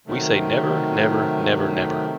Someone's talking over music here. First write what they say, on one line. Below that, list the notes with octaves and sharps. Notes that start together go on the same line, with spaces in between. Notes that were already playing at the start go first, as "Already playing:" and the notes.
We say never, never, never, never!
C3 D#3 F#3 A3